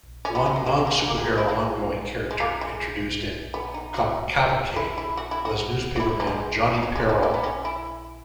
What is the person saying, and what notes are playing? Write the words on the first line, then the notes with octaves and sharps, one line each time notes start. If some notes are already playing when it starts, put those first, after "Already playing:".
One non-superhero ongoing character introduced in "Comic Cavalcade" was newspaperman Johnny Peril.
C#4
B3
G#3
F#3
G#3
G#3
A#3
B3
A#3
G#3
B3
E4
G#3
G#3
A#3
G#3
B3
D#4
F#4
E4
E4
F#4
E4
F#4
F#4
E4
F#3
G#3
F#3
G#3
F#3
A#3
B3
C#4
E4